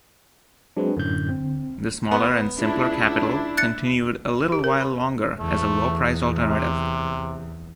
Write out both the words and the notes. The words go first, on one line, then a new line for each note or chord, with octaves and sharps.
The smaller and simpler Capital continued a little while longer as a low-priced alternative.
F#3 G#3 C4 D4 B4
F#2 A2 D3 G6
C4
B3
C#2 D4 E4
F#6 A6 C#7
G4
A#4
B5
E2 A3
C3